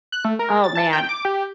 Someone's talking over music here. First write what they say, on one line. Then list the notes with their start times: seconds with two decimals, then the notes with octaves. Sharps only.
oh man.
0.12 F#6
0.25 A3
0.39 A#4
0.64 A6
0.75 A5
0.93 G5
1.09 D6
1.25 G4